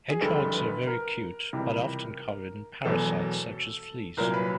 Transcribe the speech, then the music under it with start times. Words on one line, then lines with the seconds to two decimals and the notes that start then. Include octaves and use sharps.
Hedgehogs are very cute but often covered in parasites such as fleas.
0.10 G#4
0.20 F#1 F2 D3 G3 A4
0.53 B4
0.87 A#4
1.53 C#2 C3 E3 G3
2.85 E1 E2 B2 F#3 A4
4.17 C2 A#2 F#3 A#4
4.34 B4